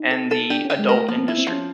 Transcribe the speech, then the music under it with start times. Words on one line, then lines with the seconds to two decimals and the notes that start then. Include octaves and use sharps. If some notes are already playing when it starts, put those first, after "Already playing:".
and the adult industry,
Already playing: D#4
0.11 A4
0.31 A4
0.50 D4 G4
0.65 C#4 G4
0.79 G#3
0.89 A#4
0.94 A3
1.08 F3 A#3
1.18 C4
1.23 B3 E4
1.38 C4
1.47 F3
1.52 C#4